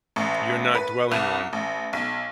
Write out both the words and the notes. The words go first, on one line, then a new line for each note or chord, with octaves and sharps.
you're not dwelling on
A1
B4
C2
A1
B1